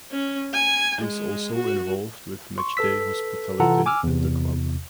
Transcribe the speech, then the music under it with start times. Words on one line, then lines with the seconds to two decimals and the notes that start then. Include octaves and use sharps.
He is also involved with matchday hospitality at the club.
0.12 C#4
0.54 G#5
1.01 G#3
1.54 F#4
2.58 C6 C#6
2.77 A4 B4 E6 B6
3.60 C3 E3 F4 A4 F#5 A#5
3.86 G#5 D6 E6 F6
4.03 E2 C3